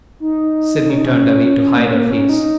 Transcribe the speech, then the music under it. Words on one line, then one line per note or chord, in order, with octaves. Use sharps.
Sydney turned away to hide her face.
D#4
C#4
D#4
C#4
C#4
A#3
C#4
A#3
C#4
D#4